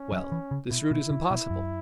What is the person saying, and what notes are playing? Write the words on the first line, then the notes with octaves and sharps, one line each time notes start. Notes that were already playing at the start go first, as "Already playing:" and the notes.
"Well, this route is impossible."
Already playing: C#4
F#3
E3
C#3
B2 E4
B2
C#3
B2
F#2